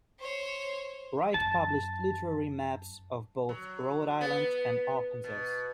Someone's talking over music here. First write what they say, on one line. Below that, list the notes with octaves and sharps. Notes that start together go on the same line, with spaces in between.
Wright published literary maps of both Rhode Island and Arkansas.
C5 C#5
F#2 A5
F#3
B3
B2